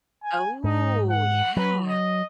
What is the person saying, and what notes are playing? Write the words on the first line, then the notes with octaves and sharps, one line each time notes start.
Oh, yeah.
G#5
G#2 D#4
F#5
F#3 B4
D#5